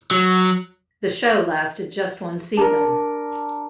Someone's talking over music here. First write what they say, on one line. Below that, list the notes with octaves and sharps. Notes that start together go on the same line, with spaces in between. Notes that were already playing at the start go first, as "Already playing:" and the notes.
The show lasted just one season.
F#3
D4 A#4